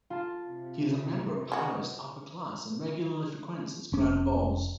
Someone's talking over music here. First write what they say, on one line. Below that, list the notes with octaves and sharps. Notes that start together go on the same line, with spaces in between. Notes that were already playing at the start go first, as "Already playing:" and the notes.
He is a member of Paris' upper class and regularly frequents its grand balls.
F4 A5
C3
G#3 F#4
F1 C#4